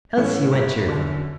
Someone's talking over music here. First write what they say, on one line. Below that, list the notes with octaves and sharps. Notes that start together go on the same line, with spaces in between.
Elsie went cheerfully.
A2 E3 A3 C#4
G1
F#2 D3